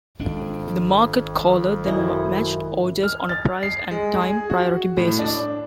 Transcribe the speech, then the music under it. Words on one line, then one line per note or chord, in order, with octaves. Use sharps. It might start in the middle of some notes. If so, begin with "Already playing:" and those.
The market caller then matched orders on a price and time priority basis.
G#1 F2 G#3 D4
F#2 E4 D#5
F6
A6
C7
G#3
G#4
F#4
A2
D4